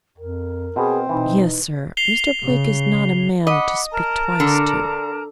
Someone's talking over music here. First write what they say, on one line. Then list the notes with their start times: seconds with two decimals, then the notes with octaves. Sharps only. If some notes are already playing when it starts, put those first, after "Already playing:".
"Yes sir; Mr. Blake is not a man to speak twice to."
0.18 F2 A#4
0.76 B2 C4 G#4
1.09 B2 E3 D#4
1.97 C7 F7 G7
2.43 C#3
3.47 D#5 F#5 B5 D6
3.91 A#4 A5 A#5
4.40 D3